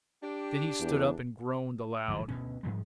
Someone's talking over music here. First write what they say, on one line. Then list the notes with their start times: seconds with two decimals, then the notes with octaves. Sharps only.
Then he stood up and groaned aloud.
0.22 D4 G4
0.80 E2
2.08 G1 D2 E3 F3
2.28 D2 B2 C#4
2.63 G#2 F3 G3 G#3